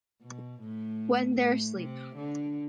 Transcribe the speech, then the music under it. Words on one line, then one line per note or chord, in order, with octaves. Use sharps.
When They're Asleep.
B2
A2
A2
C3
D3